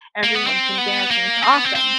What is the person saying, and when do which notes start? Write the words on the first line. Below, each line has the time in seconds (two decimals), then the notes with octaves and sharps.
everyone can dance, and it's awesome.
0.23 A#3
0.35 B3
0.47 C4
0.78 B3
1.11 A#3
1.42 C4
1.54 B3
1.65 C4
1.75 C4